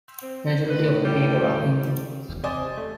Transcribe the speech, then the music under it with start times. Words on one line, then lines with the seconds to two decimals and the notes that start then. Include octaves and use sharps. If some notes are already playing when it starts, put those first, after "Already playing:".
Majority of the people are Hindu.
0.22 C4
0.70 A2 B4
1.04 G3
2.29 E1
2.44 C3 C5 D5 D#5 G#5
2.77 A3